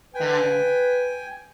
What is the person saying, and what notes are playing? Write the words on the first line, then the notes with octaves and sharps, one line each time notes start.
Got it.
B4 G5 G#5